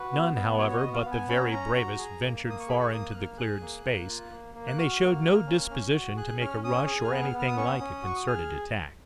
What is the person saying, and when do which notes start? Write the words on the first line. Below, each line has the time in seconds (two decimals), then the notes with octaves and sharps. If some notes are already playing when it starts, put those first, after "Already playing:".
None, however, but the very bravest ventured far into the cleared space, and they showed no disposition to make a rush or anything like a concerted attack.
Already playing: F#4 B4
0.13 B3
0.35 B3
0.58 F#4 C#5
0.70 C#5
0.76 D#5
0.82 B3
0.94 F5
1.05 B3
1.11 G#5
1.29 C#4 B5
1.36 A#5
1.44 G#5
1.51 C#4 A#5
1.76 F#4
1.98 G#4
2.22 A#3
2.45 A#3
2.50 D#6
2.60 C#6
2.68 G#4 B5
2.80 C#6
2.92 A#3 D#6
3.11 F#6
3.14 A#3 F6
3.37 G#4 F#6
3.62 A#3
3.85 A#3
4.08 F4
4.31 A#3
4.55 A#3
4.67 F#6
4.78 F#4 F6
5.01 A#3
5.25 A#3
5.47 C#4
5.70 C#4
5.94 F#4
6.17 G#4 F#6
6.41 C#4 F6
6.64 C#4 D#6
6.87 G#4 D#6
7.04 F6
7.11 B3 F#6
7.22 F6
7.33 B3
7.39 F6
7.48 D#6
7.57 C#4 C#6
7.66 D#6
7.80 C#4
8.03 F#4 C#6
8.16 D#6
8.27 G#4 F6